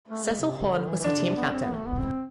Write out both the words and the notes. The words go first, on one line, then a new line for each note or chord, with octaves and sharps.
Cecil Horne was the team captain.
A3
G#3
C3
C3
D3
E3
E3
D3 D4
C3
B3
C4
B3
A3
B3
C4